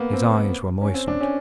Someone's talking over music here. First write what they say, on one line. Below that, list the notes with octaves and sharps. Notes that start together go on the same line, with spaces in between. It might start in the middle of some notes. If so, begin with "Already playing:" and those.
His eyes were moistened.
Already playing: A#3 B3
C4
C#4
C4
D4
C#4